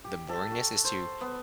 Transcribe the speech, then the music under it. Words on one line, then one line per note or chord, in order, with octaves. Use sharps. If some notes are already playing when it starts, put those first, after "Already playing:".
the boringness is to
G4
A4
F#4
C5
B3